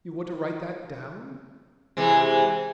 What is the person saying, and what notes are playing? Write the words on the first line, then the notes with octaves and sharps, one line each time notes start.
You want to write that down?
C3 E3 G#3